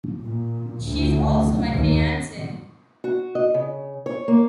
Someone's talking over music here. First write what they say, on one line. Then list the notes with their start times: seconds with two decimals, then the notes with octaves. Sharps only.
She is also my fiancee.
0.23 A#2
0.86 D2
1.70 D#2
3.04 F#4
3.35 D#5
3.54 C#3
4.06 C#5
4.28 A#3